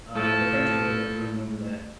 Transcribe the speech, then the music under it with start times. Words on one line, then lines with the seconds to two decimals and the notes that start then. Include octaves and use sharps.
uh, the friendship would have been ruined over that.
0.16 A2 F3 A4